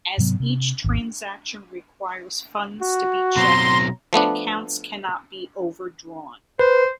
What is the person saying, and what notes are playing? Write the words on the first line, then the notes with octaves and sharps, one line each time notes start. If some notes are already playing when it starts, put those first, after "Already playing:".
As each transaction requires funds to be checked, accounts cannot be overdrawn.
G#2 C3 F#3 B3
C3
G#1 D#2
F#4
B2 F#3 C4 A#5 C6
F3 A3 B3 D4
B4 C5